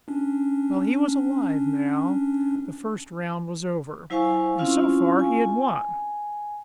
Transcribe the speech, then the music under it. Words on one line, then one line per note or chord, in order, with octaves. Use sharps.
Well, he was alive now, the first round was over, and so far he had won.
C#4 D4
F#3 E4 C5 F5 G#5 C#6
C4 C#4 E4 F4 F5 C#6
G#5